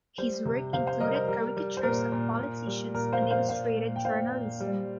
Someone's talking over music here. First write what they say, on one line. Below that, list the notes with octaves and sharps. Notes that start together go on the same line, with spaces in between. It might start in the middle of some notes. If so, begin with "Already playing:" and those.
His work included caricatures of politicians and illustrated journalism.
G3 C5
C3
C3 C5 F5
C5 F5
G3 A#4 D#5
C5
G3 A#4
G3
C5
A#2 A#4
A#2
A#2
G3
A#2 A#4
C5 F5
A#2
C5 F5
A#2 C5 F5
A#2
G5
A#2 C5 F5
A#2
G3